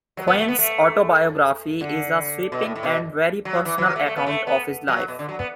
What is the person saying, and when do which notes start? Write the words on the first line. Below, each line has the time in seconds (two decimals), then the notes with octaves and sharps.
Quinn's autobiography is a sweeping and very personal account of his life.
0.17 F#3
0.28 B3
0.38 A3
0.48 B3
0.59 A3
1.81 D3
2.52 B2
2.63 A2
2.75 A2
2.83 B2
3.45 F#3
3.65 E3
3.78 E3
3.85 F#3
3.96 A3
4.06 A3
4.16 B3
4.26 A3
4.47 B3
4.88 F#3
5.08 B2
5.19 D3
5.29 F#3
5.39 B3